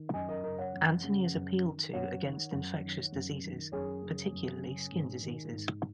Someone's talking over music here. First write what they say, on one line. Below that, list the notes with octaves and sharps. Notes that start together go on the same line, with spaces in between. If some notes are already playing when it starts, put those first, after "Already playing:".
Anthony is appealed to against infectious diseases, particularly skin diseases.
Already playing: D#3
F#2 D#5 G#5
A#4 D#5
C#3 A#4 D#5
C#5 F#5
F#2
C#3
F#2
D#3
F#2 C#5 F#5
D#3
F#2
D#3
F#2
D#3
F#2 G#4 C#5
C#3
F#2
C#3
G#2
D#3
G#2